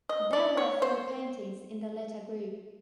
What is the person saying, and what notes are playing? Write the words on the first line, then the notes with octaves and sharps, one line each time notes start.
There were four paintings in the latter group.
D#5
D5
C#5
C5